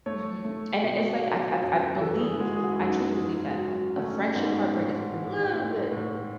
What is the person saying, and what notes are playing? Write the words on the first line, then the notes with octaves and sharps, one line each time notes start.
Mhm. And i it's like I b I b I believe, I truly believe that a friendship heartbreak is a little bit
A3 C#5
A3
B2
B2
F#2 C#5
B4
E3 A4
A4
G#4
G#3 F#4
G#4
F#4
E4
F#2 D#4
G#2
F#3
A3 C#4
G#2 B3
A2
E3
A3
A2